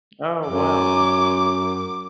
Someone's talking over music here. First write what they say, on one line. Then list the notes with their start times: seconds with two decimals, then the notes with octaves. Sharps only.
Oh, wow.
0.49 F#2 D6